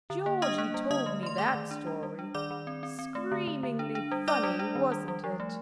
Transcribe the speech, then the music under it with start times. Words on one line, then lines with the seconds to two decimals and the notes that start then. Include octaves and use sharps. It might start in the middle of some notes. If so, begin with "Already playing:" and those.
Georgey told me that story. Screamingly funny, wasn't it?
0.10 D3
0.26 A#3
0.42 D4 D#5 D#6
0.58 A#3
0.74 G3
0.90 D3 D#5 D#6
1.06 A3
1.23 A3 C6
1.38 D#3 D5 D6
1.55 D#3
1.71 D4
1.87 G3
2.03 G3
2.19 D4
2.34 D#3 D5 D6
2.51 D#3
2.67 C4
2.83 C4
2.99 C4
3.15 A3
3.32 D3
3.47 D3
3.63 D3
3.79 D4
3.95 D4
4.11 G3
4.28 D4 D5 D6
4.43 G3
4.59 D4
4.75 D#3
4.92 G3
5.08 G3
5.24 F3
5.40 A3